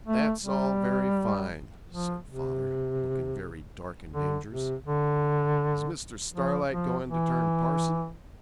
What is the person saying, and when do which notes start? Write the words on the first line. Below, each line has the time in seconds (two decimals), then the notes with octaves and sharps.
'That's all very fine,' said father, looking very dark and dangerous. 'Is Mr. Starlight going to turn parson?
0.06 A3
0.44 G3
1.91 F3
2.28 C3
4.12 D3
4.49 C3
4.87 D3
6.34 F3
6.71 F3
7.07 E3